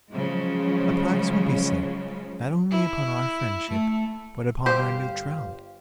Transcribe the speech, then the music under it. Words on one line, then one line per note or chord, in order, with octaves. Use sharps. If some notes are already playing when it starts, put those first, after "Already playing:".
A price would be set not only upon our friendship, but upon our neutrality.
C#3 F3 F#3 G#3
E4
A3
G1 G4 C5 F5